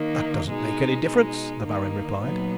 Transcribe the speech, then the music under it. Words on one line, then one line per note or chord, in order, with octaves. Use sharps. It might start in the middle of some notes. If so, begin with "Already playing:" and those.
"That doesn't make any difference," the Baron replied.
Already playing: D#3 A#3 D#4
B2 G#3 D#4
B2 G#3 D#4
D#3 A#3 D#4
A#2 F#3 B3 D#4